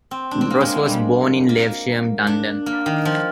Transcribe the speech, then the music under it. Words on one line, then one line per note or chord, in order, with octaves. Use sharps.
Ross was born in Lewisham, London.
C4
D4
C4
A#3
G#3
A#3
D4
A#3
D#3
F3